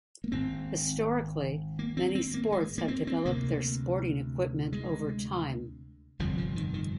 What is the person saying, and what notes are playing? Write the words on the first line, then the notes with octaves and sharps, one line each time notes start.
Historically many sports have developed their sporting equipment over time.
A#3
G#1 G#2 C4
A#3
C4
C4
A#3
G#3
A#3
C4
C4
D2 C3 A#3
G#3
G1 F2 C3 F3
F3
D#3
D#3